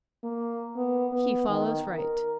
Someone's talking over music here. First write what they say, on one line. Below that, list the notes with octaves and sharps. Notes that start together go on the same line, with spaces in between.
He follows right.
A#3
B3
B3
D#3
A#4